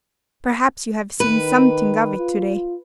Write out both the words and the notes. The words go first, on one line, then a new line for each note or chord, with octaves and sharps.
Perhaps you have seen something of it to-day.'
D#3 B4
F4